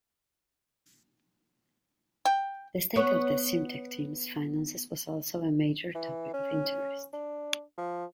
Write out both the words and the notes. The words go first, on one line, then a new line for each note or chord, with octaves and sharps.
The state of the Simtek team's finances was also a major topic of interest.
G5
B3 C#5
E3
C#4
D4
F3